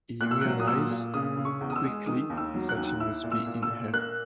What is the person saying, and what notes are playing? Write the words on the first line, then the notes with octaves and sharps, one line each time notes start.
He realizes quickly that he must be in hell.
A#2 F#6
E6
F#3 F#6
D#6
A#2 E6
A#2
C#3 D#6
C#3
C#6
E2
D#6
E6
G#3
D#3 D#6
D#2
E6
F#3
F#6
D#2
E4 E6
A#2
E6
A#2
E6
A#2
A#3 F#6